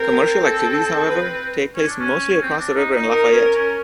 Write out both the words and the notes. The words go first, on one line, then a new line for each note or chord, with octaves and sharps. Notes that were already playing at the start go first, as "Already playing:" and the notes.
Commercial activities, however, take place mostly across the river in Lafayette.
Already playing: C4 A#4
A4
B4
C#4
D4
C#4
C#4
C4
D4
D#4
D#4
D#4 A#4
C#4
C#4